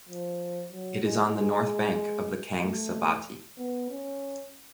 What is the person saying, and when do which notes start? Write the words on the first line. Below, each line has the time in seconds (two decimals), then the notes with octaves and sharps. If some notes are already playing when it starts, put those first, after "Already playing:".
It is on the north bank of the Kangsabati.
0.09 F3
0.72 F#3
1.04 G#3
1.36 G#3
2.63 A3
3.58 B3
3.90 C#4